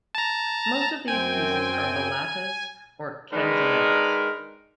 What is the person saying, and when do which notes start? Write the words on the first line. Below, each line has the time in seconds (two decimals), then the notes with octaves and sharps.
Most of these pieces are ballatas or canzonettas.
0.15 A5 A#5
1.08 F#2 C4 G5 G#5
3.33 D#3 G#3 D4 A#4 B4